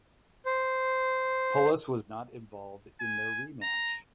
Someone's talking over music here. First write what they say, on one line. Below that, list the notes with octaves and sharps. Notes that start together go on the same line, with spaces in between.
Polis was not involved in their rematch.
C5
G#5
A#5